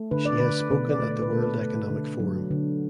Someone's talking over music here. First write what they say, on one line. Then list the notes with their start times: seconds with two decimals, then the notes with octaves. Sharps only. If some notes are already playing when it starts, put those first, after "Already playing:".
She has spoken at the World Economic Forum.
Already playing: A3
0.11 D3 B4
0.25 D5
0.38 D3 B4
0.71 B2 B4
0.91 D5
1.02 A3
1.11 D5
1.22 B4
1.31 A3 A4
1.43 B4
1.60 A3
1.90 D3
2.20 F#3
2.51 D3